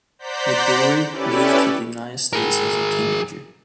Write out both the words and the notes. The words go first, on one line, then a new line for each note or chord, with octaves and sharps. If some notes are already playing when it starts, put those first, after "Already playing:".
Midori moved to the United States as a teenager.
C5 D5 F#5 A#5 G6 B6
C#4 E4 G4 A4 B4 D5
G#4 A#4